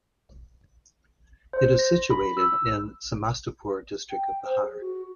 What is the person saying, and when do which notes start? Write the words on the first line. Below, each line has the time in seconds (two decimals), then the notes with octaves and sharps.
It is situated in Samastipur district of Bihar.
1.53 C5
1.79 A#6
2.10 B5
2.37 E6
4.10 G5
4.45 C5
4.61 G#4
4.81 F#4